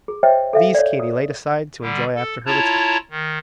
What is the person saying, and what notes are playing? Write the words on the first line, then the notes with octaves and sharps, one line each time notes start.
These Katy laid aside to enjoy after her return.
G#4
C5 C#5 D#5 E5 G5
A4 E5 F5
C#5 D5
D#6
D3 G3
A4
E4 F4 C#5 A5 A#5
D#3